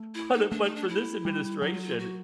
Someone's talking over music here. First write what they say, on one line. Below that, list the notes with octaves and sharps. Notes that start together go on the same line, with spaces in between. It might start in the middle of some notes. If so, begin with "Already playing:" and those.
But, uh, but, for this administration,
Already playing: A3
E4
D#4
A3 D4
D#4
D4
E4
G3
F#3 D#4
F4
F#4
F4
F#4